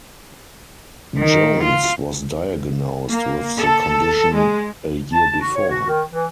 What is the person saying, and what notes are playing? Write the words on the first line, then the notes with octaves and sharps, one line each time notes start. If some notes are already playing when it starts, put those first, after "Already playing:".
Jones was diagnosed with the condition a year before.
D#3
F4
A#3
A4
G#3
A5
F#4
C#5
F#4
D#3
E3